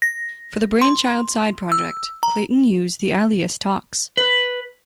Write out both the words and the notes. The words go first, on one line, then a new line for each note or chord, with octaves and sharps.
For the Brainchild side project, Klayton used the alias Tox.
A#6
C6
E6
A#5
B4